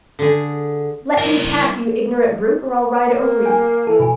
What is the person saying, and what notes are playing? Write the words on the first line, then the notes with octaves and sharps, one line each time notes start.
"Let me pass, you ignorant brute, or I'll ride over you."
D3 G#4
E4 A#4
A#3
G5 G#5
E3 A4
B2 G#5 B5